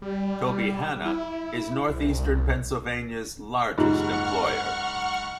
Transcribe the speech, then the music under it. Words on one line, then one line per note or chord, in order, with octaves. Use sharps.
Tobyhanna is Northeastern Pennsylvania's largest employer.
G3
E4
C2
F#1 G#2 D#4 F4 G4 F#5 C#6 F6